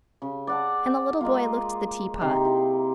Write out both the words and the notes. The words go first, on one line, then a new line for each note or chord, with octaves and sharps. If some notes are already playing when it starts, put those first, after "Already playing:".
And the little boy looked at the tea-pot.
C#3
D5 F#5 A5
G#3 A#3 F4
C3 D#4 G5 C6
E4